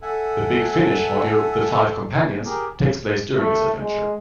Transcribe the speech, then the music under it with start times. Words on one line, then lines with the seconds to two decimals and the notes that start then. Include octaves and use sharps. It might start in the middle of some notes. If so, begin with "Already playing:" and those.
The Big Finish audio "The Five Companions" takes place during this adventure.
0.02 A4 E5 F#5 G#5
2.46 G4 G#4 A#4
3.37 A3
3.80 G#3